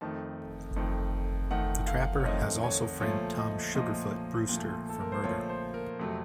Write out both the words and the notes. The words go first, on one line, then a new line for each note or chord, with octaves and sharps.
The trapper has also framed Tom "Sugarfoot" Brewster for murder.
F2 D#3 A3 A5
F2 D#3 A3
F2 D#3 A3 F#5
F5
C#5
F2 D#3 A3 D#5
C#5
A#2 F3 A3 C#5
D#5
A#2 F3 A3 D#5
A#2 F3 A3
A4
A#4
C5
A#2 F3 A3 C#5
C5
A#4
F2 C3 F#3 A3